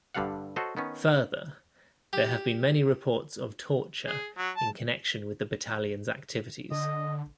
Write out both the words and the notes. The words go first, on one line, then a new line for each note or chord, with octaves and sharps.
Further, there have been many reports of torture in connection with the battalion's activities.
G2 D3 G3 F5 F#5
F#4 A4 C5 C#5 D#5
D#3 B3 C#4
G4
G#4
F#3
A5
D3 D#5